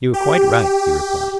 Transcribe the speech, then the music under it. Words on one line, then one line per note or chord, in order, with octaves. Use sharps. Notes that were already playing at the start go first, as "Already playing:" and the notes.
You are quite right, he replied.
G4